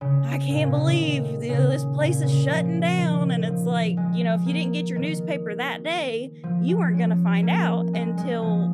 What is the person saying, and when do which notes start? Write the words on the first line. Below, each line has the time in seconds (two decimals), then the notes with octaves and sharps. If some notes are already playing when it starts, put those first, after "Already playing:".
I can't believe this place is shutting down," and it's like, you know, if you didn't get your newspaper that day, you weren't gonna find out until
0.01 C#3
0.50 A#2
0.63 A#2
0.75 C#3
0.87 D#3
1.49 C#3
1.99 A#2
2.23 C#3
2.48 F3
2.98 D#3
3.47 F3
3.97 G#3
4.46 A#3
4.96 D#3
6.43 F3
6.68 G#3
6.94 C#4
7.43 A#3
7.93 G#3
8.18 G#3
8.42 F3